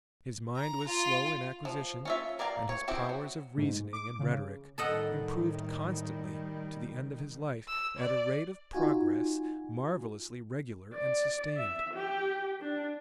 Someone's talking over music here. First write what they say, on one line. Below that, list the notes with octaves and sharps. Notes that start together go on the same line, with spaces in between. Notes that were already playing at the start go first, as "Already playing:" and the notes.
His mind was slow in acquisition, and his powers of reasoning and rhetoric improved constantly to the end of his life, at a rate of progress marvelously regular and sustained.
A#5
F4
F3
C#4 F4 E5
A#4 D5 F5 G#5 A#5
C#5
C4 E4 G4 G#4 A#4
F#3
G#2
D6
C#3
A2 D#3 G3 A4 D#5 F#5
E6
D5
D#4 F4 F#4 G#5
D5
E5
G4
D4